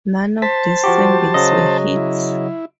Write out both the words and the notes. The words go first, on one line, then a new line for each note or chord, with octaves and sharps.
None of these singles were hits.
C5 A5 B6
F3 F#4 G4
C#3 F#3 D#5
E4